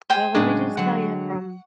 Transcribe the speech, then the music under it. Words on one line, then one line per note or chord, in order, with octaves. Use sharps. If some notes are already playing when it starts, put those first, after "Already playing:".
Well, let me just tell you from
C5 G5 G#5
A2 C#3 F#3 G#3 D4 G#4
D3 F#3 F#5